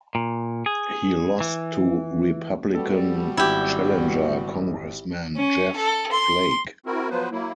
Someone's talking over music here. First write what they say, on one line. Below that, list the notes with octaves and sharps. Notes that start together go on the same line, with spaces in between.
He lost to Republican challenger Congressman Jeff Flake.
A#2
G#4
E3
G3 B3 F#4 A4
G#1 E4 G4
C#4
A4
C6
C4 E4 F#4 A#4
F3 F#3 B3 B4 C5
F#3 A#3 E4